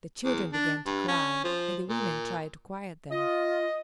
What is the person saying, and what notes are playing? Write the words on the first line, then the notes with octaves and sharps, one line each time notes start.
The children began to cry, and the women tried to quiet them.
E2
D4
G2
C#4
F3
A#2
F4 D#5